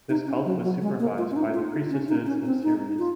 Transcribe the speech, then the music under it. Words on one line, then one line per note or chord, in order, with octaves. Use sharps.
This cult was supervised by the priestesses of Ceres.
D#4
C#4
F#3
F#3
G#3
A#3
F4
C#4
D#4
F4
D#4
C#4
D#4
C#4
C4
D#4
F4